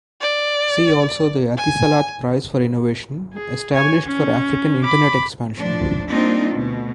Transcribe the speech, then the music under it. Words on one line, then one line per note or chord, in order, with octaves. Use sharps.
See also the Etisalat Prize for Innovation, established for African Internet expansion.
D5
G#5
G#4
C#5 G#5
C#4
B5 D6
A2 F3 D4
G3 A#3 C4 D4 D#4 F4
D2 B2